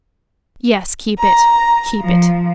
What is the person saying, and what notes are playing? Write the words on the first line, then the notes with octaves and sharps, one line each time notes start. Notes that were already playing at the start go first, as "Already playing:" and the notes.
"Yes, keep it--keep it."
A#5
F3